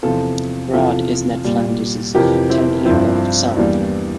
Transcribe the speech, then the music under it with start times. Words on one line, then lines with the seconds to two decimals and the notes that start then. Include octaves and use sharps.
Rod is Ned Flanders' ten-year-old son.
0.03 E2 C3 F3 F4 A4
0.73 E2 C3 F3 F4 A4
1.44 A#2 G3
2.15 F2 C3 E3 G4 A#4
2.50 C4 E4
2.85 G2 F3 C4 E4
3.56 E2 E3 G3 A#3 D4